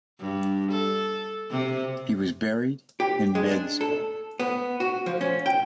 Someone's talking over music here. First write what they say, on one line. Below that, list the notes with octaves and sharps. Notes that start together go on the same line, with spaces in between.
He was buried in Medzkar.
G2
A4
C3
G4
G#3
D4
A4
B3
F#4
F3
C#4
G5